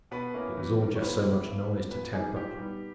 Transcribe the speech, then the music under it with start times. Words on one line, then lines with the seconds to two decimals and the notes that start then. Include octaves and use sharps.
It was all just so much noise to Tad Butler.
0.11 B2 B3 B4
0.34 A#3 C#4 E4
0.57 E2
0.79 D#3 G3
0.95 C#5
1.01 A#2 B3 B4
1.24 A#3 E4
1.47 G2
1.69 G3 B3
1.91 A#2 B3 B4
2.13 G3 A#3 D#4 G#4
2.36 A#2 G4
2.57 G3 B3 D#4